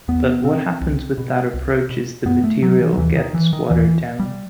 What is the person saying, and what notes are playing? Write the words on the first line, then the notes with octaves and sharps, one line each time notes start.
But what happens with that approach is the material gets watered down.
E2 B3
B2 C4
C2
B2
C2
B2
F#2 B3
A3
F#3
E3
F#3
D#2 E3
D#3
E3
D#3
D#2 E3
G3